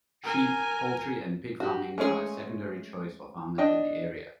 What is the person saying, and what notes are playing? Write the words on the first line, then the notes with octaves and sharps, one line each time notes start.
Sheep, poultry and pig farming are a secondary choice for farmers in the area.
A#4 G#5
F#4 G4
G#3 A3 C#4 F4 G#4
D4 D#5 G5